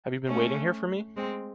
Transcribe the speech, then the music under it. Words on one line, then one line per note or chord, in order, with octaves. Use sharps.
Have you been waiting here for me?
A3 C#4
G#3 C4